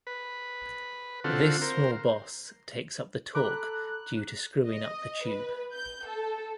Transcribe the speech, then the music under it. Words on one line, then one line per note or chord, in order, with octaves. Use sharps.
This small boss takes up the torque due to screwing up the tube.
B4
D3 C4 F4 F#4 A4
A#4 C5
A4 A#5 B5 D6 F#6
D#5
B4
G6
A4